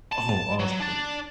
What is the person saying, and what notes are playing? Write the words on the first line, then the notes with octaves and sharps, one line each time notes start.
Oh, awesome.
A5
F#3
D4 D5